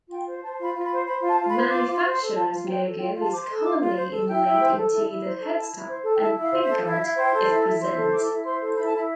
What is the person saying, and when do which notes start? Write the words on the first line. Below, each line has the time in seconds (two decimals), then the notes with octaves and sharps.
The manufacturer's logo is commonly inlaid into the headstock and pickguard, if present.
0.10 F4 G5
0.26 C5
0.42 C5 A5
0.58 F4
0.64 B5
0.75 F4
0.85 B5
0.91 C5
1.06 C5 B5
1.22 F4
1.28 A5
1.39 F4
1.49 B5
1.54 C5
1.70 F4 D6
1.87 F4 D6
1.92 C6
2.03 C5
2.14 C6
2.19 A4
2.35 F4 A5
2.51 F4
2.67 C5 G5
2.83 A4
2.99 F4 G5
3.14 F4
3.20 A5
3.31 C5 D6
3.42 C6
3.47 A4
3.63 F4 D6
3.79 F4
3.95 C5
4.12 A4
4.28 E4 G5
4.44 E4
4.59 C5
4.76 A4
4.92 E4
5.08 E4
5.23 C5
5.39 A4
5.56 E4 A5
5.72 E4
5.88 C5
6.04 A4
6.14 G5
6.19 E4 A5
6.36 E4
6.42 F5
6.52 C5
6.62 E5
6.68 A4
6.84 E4 F5
6.93 E5
7.00 E4 F5
7.16 C5 G5
7.33 A4
7.48 E4 B5
7.64 E4
7.80 C5 C6
7.96 A4
8.12 E4 D6
8.28 E4
8.44 C5 C6
8.60 A4
8.76 E4 B5
8.85 A5
8.93 E4 B5